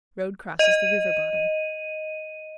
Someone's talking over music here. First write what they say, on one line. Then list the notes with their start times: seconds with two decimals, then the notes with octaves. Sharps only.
Road crosses the river bottom.
0.59 D#5 D#7